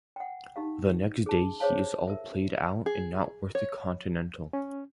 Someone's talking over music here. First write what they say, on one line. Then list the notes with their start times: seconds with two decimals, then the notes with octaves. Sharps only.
The next day he is all played out and not worth a continental.
0.16 F#5 G5
0.56 D#4 G4 F5
1.26 G#4 A5
1.60 G#4 C5 C#5 F5 A5
2.07 A#4 E5
2.86 G#4
3.55 C#5
4.53 C#4